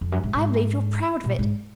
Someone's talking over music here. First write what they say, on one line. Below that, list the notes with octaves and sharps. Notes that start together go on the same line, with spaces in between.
I believe you're proud of it.
F2
F#2
G#2
G#2
A#2
G#2